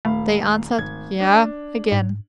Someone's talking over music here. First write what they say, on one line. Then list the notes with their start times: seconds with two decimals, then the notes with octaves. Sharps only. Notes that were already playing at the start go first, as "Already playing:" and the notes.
They answered "yea" again.
0.05 D#1 A3 F5 B5
0.78 G#1 G#6
1.20 D4
1.92 G#2